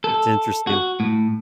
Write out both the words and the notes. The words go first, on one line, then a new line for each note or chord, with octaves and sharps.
It's interesting.
A4
F#4
A2